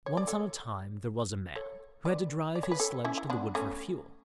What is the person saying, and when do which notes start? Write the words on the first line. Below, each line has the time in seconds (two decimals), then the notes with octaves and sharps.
Once on a time there was a man, who had to drive his sledge to the wood for fuel.
0.06 C#5
0.17 D5
0.27 A4 C#5
1.56 A4 C#5
2.05 B4 D5
2.55 D5
2.63 C#5
2.71 B4
2.80 A4 C#5
3.05 C#4 E4
3.18 E4
3.30 B3 D4
3.55 A3 C#4